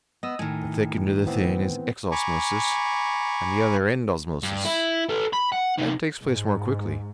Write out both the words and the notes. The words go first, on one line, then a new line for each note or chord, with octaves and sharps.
The thick into the thin is ex-osmosis, and the other end-osmosis. That takes place more quickly.
B3 D#5 D#6 E6
A2 D#3 G#5
E3 B3 C4
G#5 A#5 B5 C#6 D6
G2
E4
A4 B4
B5
F#5
C3 D#4
G#2